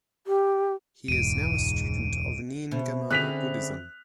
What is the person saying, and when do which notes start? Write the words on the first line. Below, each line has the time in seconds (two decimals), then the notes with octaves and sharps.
He is now a student of Nyingma Buddhism.
0.27 G4
1.08 E1 C#2 G#2 D7 D#7
2.71 B2 C5 E5 B5
3.10 D3 C4 C#4 G#4 F#6 B6 F7